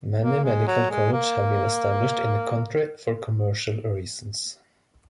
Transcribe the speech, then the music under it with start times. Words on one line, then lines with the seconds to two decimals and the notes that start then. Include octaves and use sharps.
Many medical colleges have been established in the country for commercial reasons.
0.21 A#3
0.44 G#3
0.67 F#3
0.91 G#3
1.12 A#3